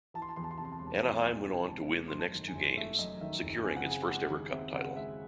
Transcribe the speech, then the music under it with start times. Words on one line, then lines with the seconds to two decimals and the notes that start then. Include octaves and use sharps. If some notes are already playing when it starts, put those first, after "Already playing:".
Anaheim went on to win the next two games, securing its first-ever Cup title.
0.14 E3 A5
0.22 C6
0.29 A5
0.36 E2 C6
0.44 A5
0.51 C6
0.58 C3 A5
0.65 C6
0.72 A5
0.79 E1 C6
0.86 A5
1.02 E3 A5
1.24 E2 G#5
1.46 C3
1.68 E1 A5
1.89 A3
2.08 F#2 C6
2.19 A5
2.34 D#3
2.48 G#5
2.55 F#1
2.77 A3 E5
2.99 F#2 D#5
3.21 D#3 E5
3.42 F#1
3.64 C4 G#5
3.76 F#5
3.86 C#3 G#5
4.08 G#3 F#5
4.30 D#2
4.51 C4 E5
4.73 C#3 F#5
4.96 G#3 E5